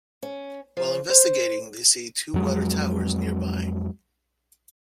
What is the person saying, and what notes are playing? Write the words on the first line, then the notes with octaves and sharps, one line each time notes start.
While investigating, they see two water towers nearby.
C#4
F3
C5
F2 F#3 G#3